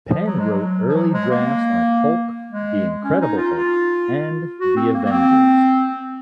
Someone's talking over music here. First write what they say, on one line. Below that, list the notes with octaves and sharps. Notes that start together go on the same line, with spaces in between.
Penn wrote early drafts of "Hulk", "The Incredible Hulk", and "The Avengers".
F3
F#3
G#3
F#3
F3
F#3
G#3
A#3
G#3
C#4
D#4
F4
F4
F#4
C4
A#3
A#3
C4